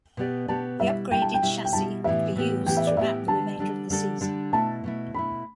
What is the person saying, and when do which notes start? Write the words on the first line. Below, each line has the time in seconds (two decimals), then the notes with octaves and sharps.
The upgraded chassis would be used throughout the remainder of the season.
0.17 B2 B3 G4 D5
0.48 B2 B3 G4 D5 A5
0.80 B2 G3 E4 E5
1.11 B2 G3 E4 G5
1.22 A5
1.34 G5
1.42 B2 G3 E4
1.65 G5
1.73 B2 G3 E4 A5
2.04 A2 E3 B3 G4 E5
2.36 A2 E3 B3 G4
2.66 A2 E3 B3 G4 G5
2.77 E5
2.87 D5
2.97 A2 E3 B3 G4 E5
3.27 D3 G3 D4 A4 A5
3.59 D3 G3 D4 A4
3.90 D3 G3 D4 A4
4.21 D3 G3 D4 A4
4.53 B2 A3 E4 A5
4.84 B2 A3 E4
5.14 B2 A3 E4 B5